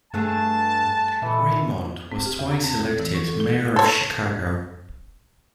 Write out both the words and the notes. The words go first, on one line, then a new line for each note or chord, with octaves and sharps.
Raymond was twice elected mayor of Chicago.
G2 G3 A3 G#4 F#5 A5
A#2 E3 A4
C4
G4
E2
A#5
C4
A4
E3
C#6
A4
A4
A4 C#5